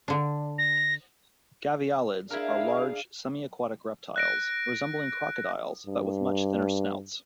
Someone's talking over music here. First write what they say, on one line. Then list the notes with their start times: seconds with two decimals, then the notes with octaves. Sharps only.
Gavialids are large semiaquatic reptiles, resembling crocodiles, but with much thinner snouts.
0.08 D3 D4
0.58 A#6
2.31 D4 E4 G#4 A#4 F5
4.16 F#6 A#6 D7
5.86 G2